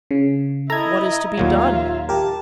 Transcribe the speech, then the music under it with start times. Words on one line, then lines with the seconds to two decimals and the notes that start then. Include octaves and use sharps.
What is to be done?
0.11 C#3
0.70 E4 A4 D#5 A#5 G#6
1.38 D#2 A#2 F#3 F4 E5
2.09 G4 A#4 A5